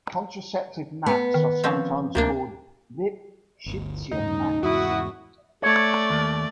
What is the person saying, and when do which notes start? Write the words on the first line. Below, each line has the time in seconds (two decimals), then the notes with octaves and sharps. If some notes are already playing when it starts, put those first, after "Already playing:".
Contractive maps are sometimes called Lipschitzian maps.
1.06 B3
1.34 D#3
1.64 F3 C4 C#4
2.15 D2 C3 A#3 D4
3.66 G1 D2
4.11 D#2 A2 C#3 D#4
4.63 E2 G#2 C#3 E4 F#4 D#6
5.63 A3 C#5 D5
6.10 D#2